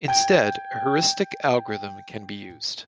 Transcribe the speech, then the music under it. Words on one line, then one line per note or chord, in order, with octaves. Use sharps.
Instead, a heuristic algorithm can be used.
G5 G#6